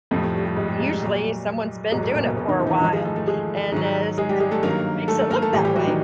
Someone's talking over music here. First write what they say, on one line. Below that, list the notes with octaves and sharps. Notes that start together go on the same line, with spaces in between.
Usually someone's been doing it for a while, and is that just makes it look that way,
F2 A2 C3 F3 A3
A2 A3
G3
G3
G#2 G#3
G3
G#2 G#3
G3
A#2 F#3
E2 G#2 B2 F#3 G#3
A2 A3
A#2 A#3
B2 B3
B2 B3
D#3 D#4
E3 E4
D#4
E3 E4
G#2 D#3 F3 D#4
G#3 G#4
A3 A4
A3 A4
G#3 G#4
G#2 D#3 F#3
G#3 G#4
G3 G4
G#3 G#4
A3 A4
G2 D#3 F#3 A#3 A#4
A3 A4
A3 A4
A#3 A#4
A3 A4
A2 E3 G3 G4
G3 G4
F#3 F#4
D#3 D#4